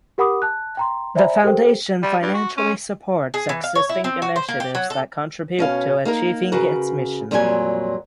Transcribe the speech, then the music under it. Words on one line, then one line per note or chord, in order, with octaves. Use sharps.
The foundation financially supports existing initiatives that contribute to achieving its mission.
G4 A#4 F#5 B5 D6 D#6
A5 F#6
G5 A#5 C6
C5 D5 E5 G#5 A#5 B5
G4 A4 A#4 C5 G5
G3
G2
F#4
C#4
G#4
E3
F5
C#5
E4
C4
F#4
C5
A#3
G4
F#3
A4
B2 C#4 F5
A#3 D#4 A#4
C#3 F#4 A#4 B4
F2 A#2 F#3 G3 F#4 G#5